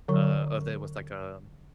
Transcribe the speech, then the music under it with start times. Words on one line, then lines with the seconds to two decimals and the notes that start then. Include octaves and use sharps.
uh, of it was like a
0.08 D3 F#3 C#6